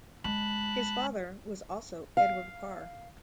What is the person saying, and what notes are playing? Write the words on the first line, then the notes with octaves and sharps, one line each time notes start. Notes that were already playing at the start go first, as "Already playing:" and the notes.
His father was also Edward Parr.
G#3 A5 B5 F#6
F5